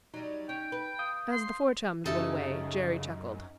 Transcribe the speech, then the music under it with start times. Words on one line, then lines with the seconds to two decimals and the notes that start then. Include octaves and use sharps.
As the four chums went away, Jerry chuckled.
0.14 F#3 G3 D#4
0.49 C#4 G5
0.72 B4
0.99 F5 D#6 G6
1.32 C6
2.06 F#2 C#3 D#4 F#4 G4 A4 E5